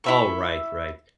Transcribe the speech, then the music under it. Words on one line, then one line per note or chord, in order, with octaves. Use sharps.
Alright, right.
E4 E5 C#6